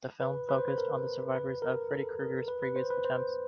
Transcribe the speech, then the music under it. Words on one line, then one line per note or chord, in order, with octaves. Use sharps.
The film focused on the survivors of Freddy Krueger's previous attempts.
B4
B4
C5
B4
A#4
B4
A#4
A4
A#4
B4
B4
C5
B4
C5